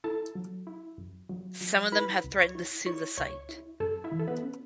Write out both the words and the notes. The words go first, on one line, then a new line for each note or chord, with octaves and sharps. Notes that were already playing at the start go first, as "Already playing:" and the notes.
Some of them have threatened to sue the site.
E4 A4 A5
F#3
E4
F#2
F#3
F#3
E4 B4 B5
C#2
C#5 C#6
E4
E4 C#5 C#6
C#2 C#5 C#6
E4
F#2 A4 A5
E4 E5
E3
A4
B3 B4
C#4